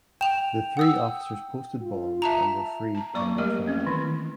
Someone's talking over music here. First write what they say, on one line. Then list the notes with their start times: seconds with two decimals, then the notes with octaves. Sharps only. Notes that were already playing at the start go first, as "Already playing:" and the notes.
The three officers posted bond and were freed pending trial.
0.21 G5 E7 F7
0.77 F#5 D#6 E6
1.82 F4
2.22 E5 A5 A#5
2.95 A5 A#5
3.14 F#3 A#3 D5 C#6 D6
3.38 G3 A3 G4 A#4 D#5
3.67 A3 C4 C#4
3.87 D#3 E3 E4